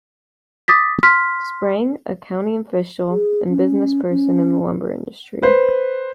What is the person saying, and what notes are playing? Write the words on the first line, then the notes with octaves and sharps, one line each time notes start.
Sprang, a county official and businessperson in the lumber industry.
D6 D#6 A6 B6
C6 F6 B6
G#4
C#4
C#4
B4 C5